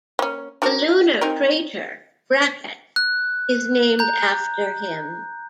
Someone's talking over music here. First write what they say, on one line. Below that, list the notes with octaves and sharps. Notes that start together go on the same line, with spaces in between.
The lunar crater Brackett is named after him.
A#3 C#4
D4 F#4 A#4
C4 D#4 A#4
F#6
A#5 G6